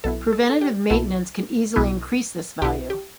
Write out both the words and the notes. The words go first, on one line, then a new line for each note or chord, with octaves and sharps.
Preventative maintenance can easily increase this value.
B1 B2 B3 E4 A4
A4
A4
G4
B1 B2 B3 E4 A4
B1 B2 B3 E4
B1 B2 B3 E4 G4
G4